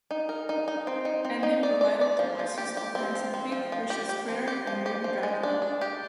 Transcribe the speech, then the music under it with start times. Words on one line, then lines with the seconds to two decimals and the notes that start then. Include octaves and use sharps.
Andy provided the voices of Handsome Pig, Vicious Critter and Baby Dracula.
0.11 D#4
0.29 A#4
0.49 D#4
0.68 D#4
0.87 C4
1.05 D#4
1.25 C4
1.43 D#4
1.63 D5
1.81 D5
2.01 D5
2.19 F3
2.39 F3
2.58 G4
2.77 G4
2.95 C4
3.15 F3
3.34 C4
3.52 F3
3.72 F3
3.90 G4
4.09 G4
4.29 F3
4.48 G4
4.67 F3
4.86 G4
5.04 F3
5.23 G#3
5.43 D4
5.62 D4
5.81 G4